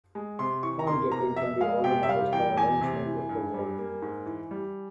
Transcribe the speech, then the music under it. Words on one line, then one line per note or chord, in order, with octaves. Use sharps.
Pond dipping can be organised by arrangement with the warden.
G#3
C3 C6
E3 C#6
A#5
A#3 C6
C3 A#5
F3 E5
G#3 F5
C3 G5
E5
G3 F5
E2 G5
E2 G#5
C3
E3
G2
G3
A#3
G#2
E3
G3